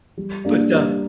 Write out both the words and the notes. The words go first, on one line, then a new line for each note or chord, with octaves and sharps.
But, um
G3
A#3 D4 G4
G3